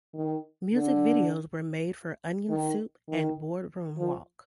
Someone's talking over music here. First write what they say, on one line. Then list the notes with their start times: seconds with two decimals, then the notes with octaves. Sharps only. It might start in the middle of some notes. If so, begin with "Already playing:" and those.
Music videos were made for "Onion Soup" and "Boardroom Walk".
0.14 D#3
0.73 D3
2.49 D#3
3.09 D#3
3.98 F3